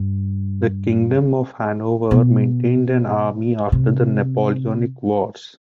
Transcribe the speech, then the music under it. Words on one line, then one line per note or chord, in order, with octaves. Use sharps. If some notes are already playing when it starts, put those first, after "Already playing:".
The Kingdom of Hanover maintained an army after the Napoleonic Wars.
Already playing: G2
B2
C3